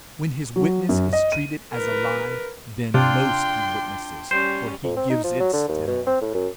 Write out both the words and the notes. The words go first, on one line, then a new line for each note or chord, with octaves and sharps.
When his witness is treated as a lie, then most he witnesses, for he gives it still.
F#3
F#2
D#5
D#7
A#4 B4
C3 D4 F4 G5 C6
G3 C#4 C5
F2
C4
D#4
F3
F#3
D3
D#2
B2
C4
A2
F#2